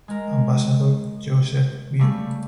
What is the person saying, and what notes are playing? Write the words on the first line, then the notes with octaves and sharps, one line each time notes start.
Ambassador Joseph Grew.
G#3 A#4
C#3 G3 A3